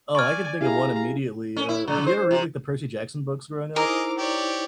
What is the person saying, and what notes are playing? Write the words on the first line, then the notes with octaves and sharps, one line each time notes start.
Oh, I can think of one immediately. Uh, did you ever read, like, the Percy Jackson books growing up?
D5 G#5 C#6 F6
E4 G4 G#4 F5 A#5
C#4
E4
C#3
C5
C3
D#4 E4 G#4 A#4 C5 D#5 D6 F6
G4 C#5 D5